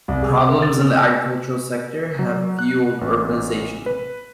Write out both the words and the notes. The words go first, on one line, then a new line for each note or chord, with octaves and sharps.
Problems in the agricultural sector have fueled urbanization.
C2
G#4
F#5
A#4
A6
C4
F#3
F#6
A1
B4